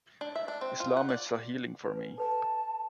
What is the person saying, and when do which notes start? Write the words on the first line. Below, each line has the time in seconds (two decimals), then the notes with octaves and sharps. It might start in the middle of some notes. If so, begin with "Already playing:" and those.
Islam is a healing for me.
0.21 D4
0.35 E5
0.48 D4
0.61 C4
0.80 F4
0.97 F#5
1.09 D5
1.85 B4 G#5
2.18 A4 B4 G#5 A5